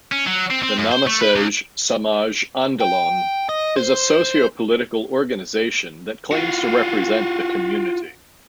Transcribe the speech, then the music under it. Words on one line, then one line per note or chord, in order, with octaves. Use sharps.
The Namassej Samaj Andolon is a socio-political organisation that claims to represent the community.
C#4
F#3
C4
C4
F#2
C5
A3
B4
C#2
G5
D#5
C5
F4 F#4